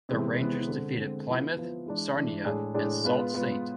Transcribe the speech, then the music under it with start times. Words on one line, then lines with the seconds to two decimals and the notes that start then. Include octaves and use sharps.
The Rangers defeated Plymouth, Sarnia and Sault Ste.
0.09 C3 E3 G#3 B3
0.38 C3 E3 G#3 B3
0.68 D3 G#3 C4
0.98 D3 G#3 C4
1.27 F3 B3 E4 B4
1.57 F3 B3 E4 B4
1.86 E3 G#3 D4
2.15 E3 G#3 D4
2.45 A2 G#3 D4 G#4
2.74 A2 G#3 D4 G#4
3.04 G#3 B3 F4 B4
3.33 G#3 B3 F4 B4